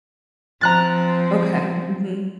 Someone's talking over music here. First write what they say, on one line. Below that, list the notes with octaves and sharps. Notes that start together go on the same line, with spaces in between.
Okay, mhm.
F3 C4 A#5 F#6 A6